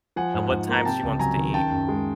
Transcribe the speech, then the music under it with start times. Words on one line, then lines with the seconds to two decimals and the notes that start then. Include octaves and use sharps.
At what time she wants to eat.
0.16 F3 F#5 G#5
0.34 G#2
0.51 G#2
0.68 A#3 A#5
0.85 C3 G5 A5
1.03 C#2
1.19 F#3 G#5 A#5
1.37 D#3
1.54 C#3 G5 A5
1.71 F#2
1.88 G#3